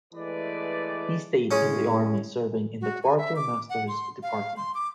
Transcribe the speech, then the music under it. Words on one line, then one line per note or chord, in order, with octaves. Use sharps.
He stayed in the army serving in the quartermaster's department.
E3 G#3 A3 B4 D5
A2 G#3 C#4
F#4
G#5
E5
D6
F#5
C6
F5
C6
D6